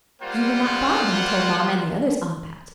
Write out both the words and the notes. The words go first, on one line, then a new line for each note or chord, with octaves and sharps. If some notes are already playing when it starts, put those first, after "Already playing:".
You were not by, when I told mamma and the others all about it.
G3 A#3 F4 C5 F#5